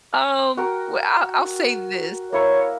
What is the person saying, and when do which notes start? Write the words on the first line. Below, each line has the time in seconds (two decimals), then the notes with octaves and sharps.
Um, well, I I'll say this
0.57 F#4 A#4 G5
2.32 A#3 E4 A#4 C#5